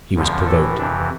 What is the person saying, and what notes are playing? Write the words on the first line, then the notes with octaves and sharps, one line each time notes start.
He was provoked.
E2 D3 F3
A2 E3 A4
F2 C3 E3 D4